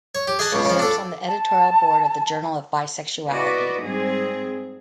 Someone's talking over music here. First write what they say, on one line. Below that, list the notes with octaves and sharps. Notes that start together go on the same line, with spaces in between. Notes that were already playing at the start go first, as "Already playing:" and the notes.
She serves on the editorial board of the "Journal of Bisexuality".
C#5
G4
G#4 D#5 F#5 G#5 A5
C#2 B2
C#3 F3
D4 A4
A5
E4 F#4 B4 D5 D#5
G#2 G3 C4 G#4